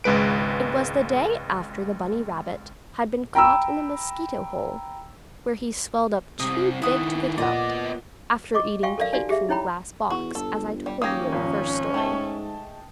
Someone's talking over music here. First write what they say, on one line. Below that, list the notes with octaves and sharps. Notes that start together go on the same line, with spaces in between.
It was the day after the bunny rabbit had been caught in the mosquito hole, where he swelled up too big to get out, after eating cake from the glass box, as I told you in the first story.
G#1 C#2 G#3 B4 D7
G5 A#5 B5 E6
C3 G3 D#6
D#3 E4 F#5 D#6
A#2 B3 D5 D#5 F#5
D#5 C#6 D6
F#4 F5 G5 G#5 C#6
A4 A#4 D5 F5
D#4 F#4 G4 D5 F5 G#5
G4 G#4 E5 F5
D#4 E4 C#5 G5 A#5 B5
E2 F#4
G1 A4
G3
D#1 A#3 C#4 G4 D#6 G#6 A#6
G#1 F2
G#2 G#3 A3 G5 A5 G7